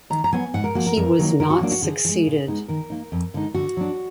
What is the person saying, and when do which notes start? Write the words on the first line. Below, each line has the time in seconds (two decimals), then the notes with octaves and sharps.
He was not succeeded.
0.10 D#3 A#5
0.24 A#5
0.33 F#3 B3 G#5
0.54 G#2 F#5
0.64 A#4
0.75 F3 A#3 F#4
0.86 A#4
0.97 F2 A#4
1.19 D#3 F#3 A#3
1.40 D3 A#4
1.50 F#4
1.61 F#3 A#3 D4
1.72 F#4
1.82 D3 G#4
2.05 F3
2.09 G#3
2.27 A#2
2.48 G#3 B3 D#4
2.68 D#3 A#4
2.90 A#3 D#4
3.12 F2
3.34 D3 G#3 D#4
3.54 D3 F#4
3.77 F#3 D4